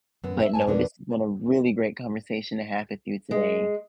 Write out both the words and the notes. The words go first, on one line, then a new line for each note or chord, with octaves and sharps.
But, no, this has been a really great conversation to have with you today.
F#2 B3
E5
G2 G#5 A5
F2 B2 B3 D4 A#4 B4
G#3